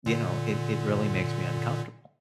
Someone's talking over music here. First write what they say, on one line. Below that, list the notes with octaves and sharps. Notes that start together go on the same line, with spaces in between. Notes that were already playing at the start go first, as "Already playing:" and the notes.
you know, "it it really makes me uncomfortable."
A#2 D3